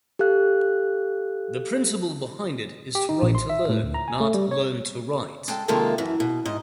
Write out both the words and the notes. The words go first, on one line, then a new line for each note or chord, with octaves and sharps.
The principle behind it is 'write to learn, not learn to write'.
G4 A4 F5 F#6
G4
D#4
A#1
C6
E5
A2
D2
A#5
G#5
A3
G3
C#5
G#3 A4 G5
C3 D#3 G#3 A#3 F4 A4
F#2 E3
B2
G#2 D#5